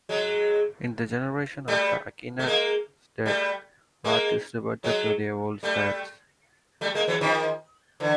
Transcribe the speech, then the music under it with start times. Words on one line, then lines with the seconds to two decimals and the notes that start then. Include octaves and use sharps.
In the generation after Akhenaten's death, artists reverted to their old styles.
0.09 F#3 G#3
1.68 G3 A3
2.39 A3
2.47 G#3 A#3
3.26 G3 A3
4.04 G#3 A#3
4.84 F#3 G#3
5.63 G3 A3
6.81 G3 A3
6.94 G#3 A#3
7.07 E3 F#3
7.21 D#3 F3
8.00 D3 E3